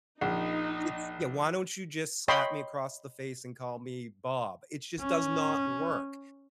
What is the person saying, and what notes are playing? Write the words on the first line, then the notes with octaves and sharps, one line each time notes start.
it's "Yeah, why don't you just slap me across the face and call me Bob?" It just does not work.
A#1 D#4
C#5 D#5 G5 B5 C6
C#4